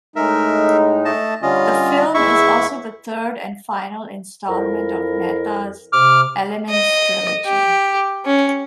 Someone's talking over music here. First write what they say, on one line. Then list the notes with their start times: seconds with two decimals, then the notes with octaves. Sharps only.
The film is also the third and final instalment of Mehta's "Elements trilogy".
0.16 A2 G#3 D#4 A#4 E5
1.05 A3 D#5 A5
1.43 D3 G3 C#4 F4 D#5
2.14 E2 G#3 E4 E5 C#6
4.48 F2 E4 A#4
5.93 C3 D6 F6
6.69 D#5
7.45 G4
8.25 C#4